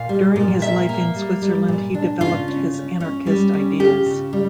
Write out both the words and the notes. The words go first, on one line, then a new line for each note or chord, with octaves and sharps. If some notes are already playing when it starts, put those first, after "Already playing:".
During his life in Switzerland, he developed his anarchist ideas.
Already playing: A#2 F5
G3
A#2
A#3 E5
A#3
G3
G3
A#2
D4
C#3 F4
C#4
C#4
C#4
G3
C#4
F4 G4
C#3
G3